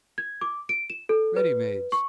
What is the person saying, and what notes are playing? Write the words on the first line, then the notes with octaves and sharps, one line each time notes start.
Ready mades.
G#6
D6
D7
E7
A4
B4
C#6